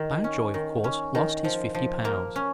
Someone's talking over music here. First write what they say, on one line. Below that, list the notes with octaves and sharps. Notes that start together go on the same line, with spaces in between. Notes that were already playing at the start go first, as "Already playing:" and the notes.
Mountjoy of course lost his fifty pounds.
Already playing: D#3
C#4
D#3
C#4
D#3
F3
F3
A#3
C#4